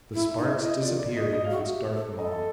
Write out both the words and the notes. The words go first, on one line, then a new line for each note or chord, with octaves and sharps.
The sparks disappeared into its dark maw.
E4
E5
D#4
D#5
E5
E4
D#5
F4 D5
D5
F#4 D#5
D#5
F5
F#4 E5
G4
A4
A4 D#5